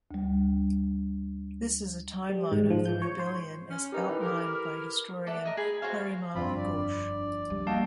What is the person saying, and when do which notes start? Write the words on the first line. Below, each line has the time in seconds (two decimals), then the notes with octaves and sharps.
This is a timeline of the rebellion as outlined by historian Parimal Ghosh.
0.11 D2 G3
2.30 G3
2.52 G#2
2.70 F3
2.85 G6
3.02 C#5
3.19 C5
3.70 C#4
3.92 D#4 G4 A#4 B4
4.07 E3
4.21 E4 A4 A#4 D6
5.27 A4 D5 E5 F#5
5.45 A#4 D#5
5.57 G#4 B5
5.82 F#4 C5 C#5 F5
6.35 G1 F2 C4 D4 F4 B5
6.57 D5
7.50 G3
7.67 A#3 F#4 D#5 F5 G5 A5